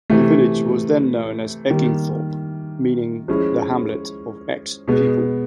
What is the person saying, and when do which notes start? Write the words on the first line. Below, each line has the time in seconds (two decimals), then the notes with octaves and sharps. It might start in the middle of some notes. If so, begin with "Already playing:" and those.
The village was then known as Eckingthorp, meaning 'The hamlet of Eck's people'.
0.10 C3 E3 A3
1.69 D#3 G3 A#3
3.28 F3 G#3 C#4 E4
4.88 B2 G#3 B3